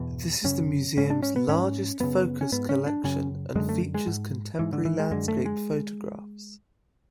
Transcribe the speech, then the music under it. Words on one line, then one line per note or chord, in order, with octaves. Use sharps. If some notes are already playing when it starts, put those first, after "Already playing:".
This is the museum's largest focus collection and features contemporary landscape photographs.
Already playing: E2 B2
F#2 C#3 C#4
G#2 C#4
D4
C#4
B3
G#2 C#4
F#2 C#3 B3
C#4
G#2 B3
C#4
D4
F#2 C#3 C#4
F#2 D3 G#3
A3
G#3
G#2
G#2 E3
D3
E3
G#3
F#2 D3 G#3
A3
G#3